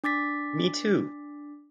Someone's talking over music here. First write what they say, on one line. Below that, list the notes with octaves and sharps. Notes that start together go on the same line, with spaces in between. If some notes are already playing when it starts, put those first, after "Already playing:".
Me too!
D4 D6 A6 B6